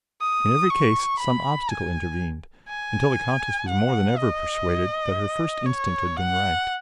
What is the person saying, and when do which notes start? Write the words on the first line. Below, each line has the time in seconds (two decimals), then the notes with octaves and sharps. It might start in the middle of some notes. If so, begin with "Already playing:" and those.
In every case some obstacle intervened, until the Countess was more than ever persuaded that her first instinct had been right.
0.21 D#6
0.70 C#6
1.19 B5
1.70 G#5
2.69 G#5
3.68 F#5
4.18 D#5
5.66 C#5
6.17 F#5